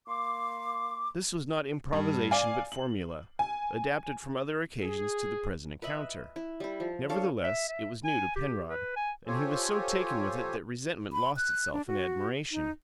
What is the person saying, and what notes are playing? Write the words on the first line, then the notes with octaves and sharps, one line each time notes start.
This was not improvisation but formula, adapted from other occasions to the present encounter; nevertheless, it was new to Penrod, and he was so taken with it that resentment lost itself in admiration.
A#3 C6 D6
G2
D5 F5 G#5
F#7
G#5
G#4
B4 D#5 E5 B5
E4
G3 E4
F3
D4 A4 C#5 F5
E5
E5
G#5
G4
B4
G#5
F4 G4 A4 C5 C#5 G#5
B5
F#6
D4
F#4
D#4